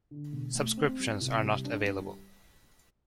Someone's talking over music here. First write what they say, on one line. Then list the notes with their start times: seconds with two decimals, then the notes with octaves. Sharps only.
Subscriptions are not available.
0.11 D3
0.32 E1
0.55 A3
0.77 C4
1.00 G3
1.21 C2
1.42 G3
1.65 D4
1.87 G3